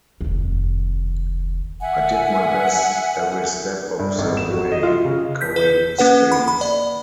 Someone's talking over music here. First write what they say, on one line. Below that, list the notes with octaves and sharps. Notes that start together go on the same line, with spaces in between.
I did my best every step of the way, Corey states.
F1 D#2
E5 F#5 G#5
G2
G#1
E7
F#4
D#5
F4
C#3
G6 B6
B4
A#3 C#4 B4 F#5
B5
B5
D5